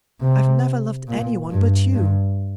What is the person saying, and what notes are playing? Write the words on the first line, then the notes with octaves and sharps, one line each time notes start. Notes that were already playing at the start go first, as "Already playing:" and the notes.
I've never loved anyone but you.
C3
A#2
G2
G2